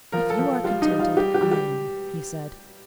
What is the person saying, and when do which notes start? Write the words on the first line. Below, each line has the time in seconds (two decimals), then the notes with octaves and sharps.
'If you are contented, I am,' he said.
0.12 F3 A#4
0.30 A4
0.39 F3
0.64 G3 F4
0.82 D#4
0.91 G3
0.99 F4
1.17 G3 G4
1.34 G4
1.43 G3
1.51 G4